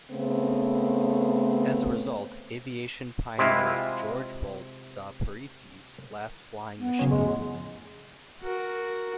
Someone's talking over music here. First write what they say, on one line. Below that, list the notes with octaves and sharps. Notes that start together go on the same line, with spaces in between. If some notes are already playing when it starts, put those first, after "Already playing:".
As a result, aviation pioneer George Bolt saw Pearse's last flying machine.
C#3 A3 B3 C4
C3 G#3 E4 F4
B3
C#3 F#3 C#4
G1 F2 A2 G#3
F#4 A#4